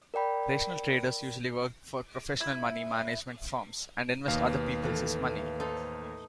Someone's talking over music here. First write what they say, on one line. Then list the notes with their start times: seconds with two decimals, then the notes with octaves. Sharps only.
Rational traders usually work for professional money management firms, and invest other peoples' money.
0.14 A#4 D5 G5 B5
2.41 E4
4.28 D#2 B2 F5
4.82 A2 E3 A3
5.60 D#4 A4 C5